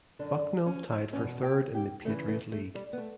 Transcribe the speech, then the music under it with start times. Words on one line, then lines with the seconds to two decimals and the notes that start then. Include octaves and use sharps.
Bucknell tied for third in the Patriot League.
0.19 F#2 D3 D4
0.66 C#4
1.12 E2 B2 C#4
1.43 G4
1.75 G4
2.05 E2 C#3 E3 A3
2.28 A3
2.52 A3
2.75 G3
2.93 B3
2.98 A3